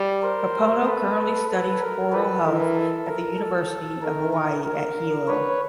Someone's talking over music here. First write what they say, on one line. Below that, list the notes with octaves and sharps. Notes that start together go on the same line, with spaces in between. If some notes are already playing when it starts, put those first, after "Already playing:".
Kapono currently studies coral health at the University of Hawaii at Hilo.
Already playing: G3
A#4 C5
A4 B4
A4 B4
A#4
F3 A4 B4
E3 A#4
A4
A#4
A4
D#3 A#4
A#4
A#4
D3 B4 C#5